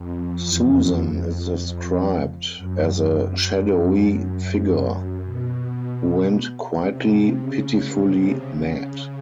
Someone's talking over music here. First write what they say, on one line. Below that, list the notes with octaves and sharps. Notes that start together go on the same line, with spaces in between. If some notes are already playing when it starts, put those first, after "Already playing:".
Susan is described as a "shadowy figure" who went "quietly, pitifully, mad".
Already playing: F2
E2
F2
F#2
F#2
B2
C3
C#3
C3
C#3